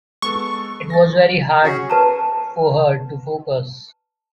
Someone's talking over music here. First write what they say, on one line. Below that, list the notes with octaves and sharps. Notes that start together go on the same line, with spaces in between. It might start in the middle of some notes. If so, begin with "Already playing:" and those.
It was very hard for her to focus.
G#3 B3 A4 C#6
A6 A#6
C#4 F#4 G#4
B4 A5 A#5